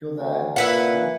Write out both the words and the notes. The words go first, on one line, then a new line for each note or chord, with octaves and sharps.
You're there, are you?
D2
A#2 E4 B4 F#5